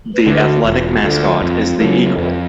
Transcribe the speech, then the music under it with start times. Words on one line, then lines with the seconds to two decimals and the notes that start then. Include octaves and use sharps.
The athletic mascot is the Eagle.
0.14 B4
0.27 D2 D3
0.40 F#4
0.65 E1 F4
1.03 D2 D3
1.42 F2
1.80 C#3 F#3 A#3
2.18 F2